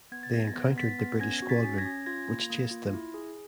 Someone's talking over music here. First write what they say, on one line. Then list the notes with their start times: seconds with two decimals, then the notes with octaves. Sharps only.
They encountered the British squadron, which chased them.
0.12 B3 G#6
0.23 A6
0.33 B3 G#6 A#6
0.55 B3
0.77 B3 A6 B6
0.99 B3
1.20 C#4 G#6 A#6
1.42 F#4
1.49 A6 B6
1.64 C#4
1.78 G#6 A#6
1.85 C#4
2.06 F4 G#6 A#6
2.28 A#3
2.50 A#3
2.71 F4
2.93 E4
3.14 G#4